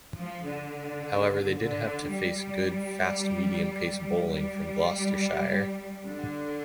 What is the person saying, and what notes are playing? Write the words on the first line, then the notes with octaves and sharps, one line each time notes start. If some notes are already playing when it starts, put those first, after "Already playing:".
However, they did have to face good, fast-medium-pace bowling from Gloucestershire.
F3
D3
D3
G3
G3
D3